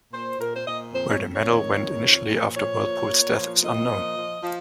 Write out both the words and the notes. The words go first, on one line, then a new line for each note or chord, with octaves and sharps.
Where the medal went initially after Whirlpool's death is unknown.
A#2 C5
A#2 A#4
C5
A#2 D#5
F2 C5
C#5
F2
C#5
D#3
F2
F3
A#2
F3 C#5
A#2
A#2
F3
A#2 D#5
F3
F3
F3